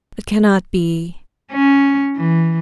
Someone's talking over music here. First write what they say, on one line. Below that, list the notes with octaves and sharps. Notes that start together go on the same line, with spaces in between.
It cannot be.
C#4
E3